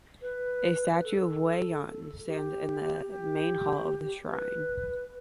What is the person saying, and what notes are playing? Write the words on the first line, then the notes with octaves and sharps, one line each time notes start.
A statue of Wei Yan stands in the main hall of the shrine.
B4
A4
G4
G4
B4